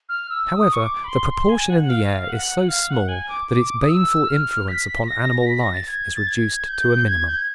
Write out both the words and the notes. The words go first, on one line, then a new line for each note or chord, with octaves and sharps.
However, the proportion in the air is so small that its baneful influence upon animal life is reduced to a minimum.
F6
E6
D#6
C#6
D6
B5
C6
C6
G#5
F#5
F#5
F5
F#5
F#5
F5
F#5
G#5
D6
D6
D#6
E6
F6
B6
A#6
B6
A#6
A6
G#6
A6
G#6
G6
G#6
G6
G#6